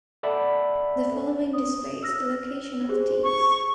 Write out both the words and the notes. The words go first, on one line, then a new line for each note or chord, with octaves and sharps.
The following displays the location of teams.
A4 D5 E5 F#5 B5
D#6
E6 F6 A#6
G4 G#4 C5
C#6